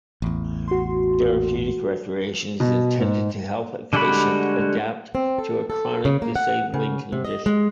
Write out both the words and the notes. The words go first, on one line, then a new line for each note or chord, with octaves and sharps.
Therapeutic recreation is intended to help a patient adapt to a chronic disabling condition.
A1 E2
F#4 C6
B2
G#2
D3 G3 G#3 F#4 B5
C4
A4
A4
C#3
A#3
F#5
C#3
C3
D#5
G#3